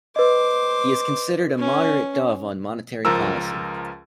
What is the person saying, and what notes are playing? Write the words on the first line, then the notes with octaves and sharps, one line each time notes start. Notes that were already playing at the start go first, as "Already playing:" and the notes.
He is considered a moderate dove on monetary policy.
B4 C5 D#5 D6
C#4
C#2 F3 A#4 E6